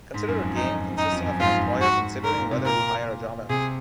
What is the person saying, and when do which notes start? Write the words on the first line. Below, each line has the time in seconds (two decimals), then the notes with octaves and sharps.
Consider a game consisting of an employer considering whether to hire a job applicant.
0.14 G#2
0.28 F#2
0.42 F2
0.56 D#4
0.98 F#2 D#4
1.12 F2
1.26 F#2
1.40 G#2 F4
1.81 F#4
2.23 G#2 A#4
2.38 A#2
2.51 C3
2.65 A#2 A#4
3.49 C3 G#4